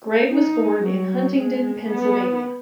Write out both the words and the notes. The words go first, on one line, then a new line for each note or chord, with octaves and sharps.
Gregg was born in Huntingdon, Pennsylvania.
D#4
F#3
G#3
B3